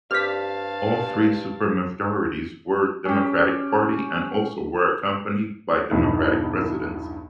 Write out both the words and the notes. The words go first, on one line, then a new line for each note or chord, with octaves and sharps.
All three super majorities were Democratic party and also were accompanied by Democratic Presidents.
G2 G3 C4 F5 A5 F6 B6
C#4 G4
B1 E2 G2 B2